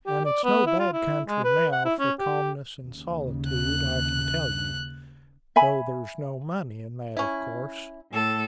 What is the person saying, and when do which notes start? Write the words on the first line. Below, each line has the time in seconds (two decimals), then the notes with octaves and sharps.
And it's no bad country now for calmness and solitude, I can tell you--though there's no money in that, of course.
0.06 G4
0.25 D5
0.44 B3
0.66 E4
0.79 F4
0.93 E4
1.28 G#3
1.44 B4
1.72 F#5
1.85 E4
1.99 C#4
2.19 G4
2.82 D#2 C#3
3.49 F#6
5.56 E5 G#5 B5
7.17 C#4 E4
8.11 A2 A4